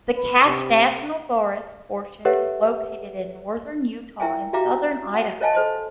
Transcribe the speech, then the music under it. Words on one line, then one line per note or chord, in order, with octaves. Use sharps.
The Cache National Forest portion is located in northern Utah and southern Idaho.
B4
C3
G4 A4 B4 C#5 E5 F#5
E4 A#4 E5 G5 G#5
F#4 G4 E5 F5 A#5 D6
F#5
A#4 C#5 D#5 F5 G#5 A5
A4 C5 D#5 C6